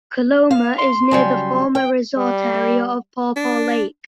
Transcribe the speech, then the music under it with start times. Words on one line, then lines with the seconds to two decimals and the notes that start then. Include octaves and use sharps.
Coloma is near the former resort area of Paw Paw Lake.
0.51 F5
0.78 C6
1.11 C#3 F#3 G3
1.75 G5
2.17 G3
3.36 D4